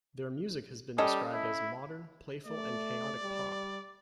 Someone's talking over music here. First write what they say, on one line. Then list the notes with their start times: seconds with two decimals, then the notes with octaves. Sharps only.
Their music has been described as modern, playful and chaotic pop.
0.98 G3 C#4 A4 D#5
1.32 E4
2.46 A3 D5
3.22 G3